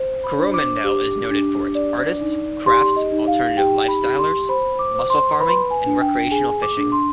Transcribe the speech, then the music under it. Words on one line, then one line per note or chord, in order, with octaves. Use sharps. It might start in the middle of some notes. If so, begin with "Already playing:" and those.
Coromandel is noted for its artists, crafts, alternative lifestylers, mussel farming, and recreational fishing.
Already playing: C5
B5
D4
D6
G4
D4
D5
D#4
G4 C6
D#5
D#4
F5
G4 G5
B5
G4
C6
C5 B5
D6
C5
C6
B4 B5
C6
B5
G#5
D4
G5
G#4 G#5
D6
D4
C6